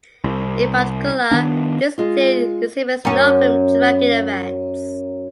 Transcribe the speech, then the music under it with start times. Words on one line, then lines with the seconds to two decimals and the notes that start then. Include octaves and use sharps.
In particular, this theory exhibits no frame-dragging effects.
0.24 C2
1.31 D#3 B3 D4
1.98 G#3 F4
3.05 F#2 C#4